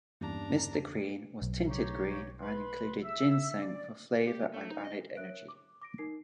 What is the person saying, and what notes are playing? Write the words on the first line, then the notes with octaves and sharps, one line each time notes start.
Mr. Green was tinted green, and included ginseng for flavor and added energy.
E2 G2 A#3 C#4 D4 G4 A#5
B1
D#4 G4 C#5
B4 B5 C6
E5 E6
D5
G4
A3
D#4
D#5
A#4 C#5 E5 F#6 D7
D6
D6 A#6 D7
D#4 A#4 C7